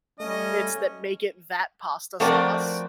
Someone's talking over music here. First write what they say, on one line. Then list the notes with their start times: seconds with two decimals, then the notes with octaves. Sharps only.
bits that make it that pasta sauce.
0.20 G3 A3 C#4 D#5
2.20 F3 A3 C4 F#4 A#4 D5